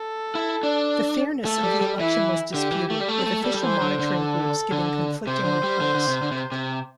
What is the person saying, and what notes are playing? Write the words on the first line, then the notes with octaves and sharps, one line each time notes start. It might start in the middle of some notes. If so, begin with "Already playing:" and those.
The fairness of the election was disputed, with official monitoring groups giving conflicting reports.
Already playing: A4
E4
D4
A3 A4
G3
G3
E3 E4
D3 G4
E3
A3
G3
A3 A4
C4
A3
G3
G3
E3 C5
D3
D3
A4
D3
C3 C5
D3
G3
D3
D3
C3
D3
C3
C3